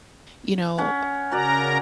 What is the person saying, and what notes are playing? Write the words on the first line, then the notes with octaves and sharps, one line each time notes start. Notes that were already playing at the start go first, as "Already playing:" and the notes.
you know, uh uh
C#4 F#5
C#3 C#4 F#4 A#4 D5 A#5